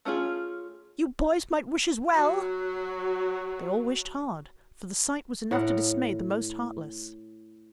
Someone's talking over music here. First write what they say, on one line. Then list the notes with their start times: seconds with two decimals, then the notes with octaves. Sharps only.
You boys might wish as well!' They all wished hard, for the sight was enough to dismay the most heartless.
0.05 A3 C#4 D4 F4 G#4
2.12 F#3 F#4
5.51 A2 A#4 F#5